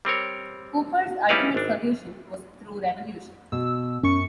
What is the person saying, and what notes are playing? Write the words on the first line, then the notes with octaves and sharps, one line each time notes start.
Cooper's ultimate solution was through revolution.
G3 C4 A#4 C#5
G3 C#4 D#4 E4 B4 F5
G#1 D4
B2 E6
F#2 C#4 C#6 C#7